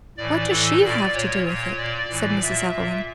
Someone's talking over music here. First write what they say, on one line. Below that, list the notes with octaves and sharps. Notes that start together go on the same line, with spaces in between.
"What does she have to do with it?" said Mrs. Evelyn.
A2 E3 D5
A2 E3 A4
A#2 D5
A#2 C#5
A#2 C#5
A#2 D5
A2 E3
A#2 E5
A#2